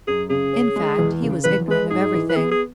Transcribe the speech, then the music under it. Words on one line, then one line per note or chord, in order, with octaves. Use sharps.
In fact, he was ignorant of everything.
F#2 G#4
C#3 G#4
C#4
G#3
E2
C#3
E2 B4
G#3 B4
G#2 G#4
E3
B4
B3 G#4
G#4